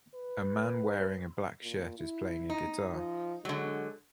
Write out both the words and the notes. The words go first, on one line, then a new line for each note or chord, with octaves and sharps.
A man wearing a black shirt is playing a guitar.
B4
A#2
E4
D#4
F3
D3 F#3 G#3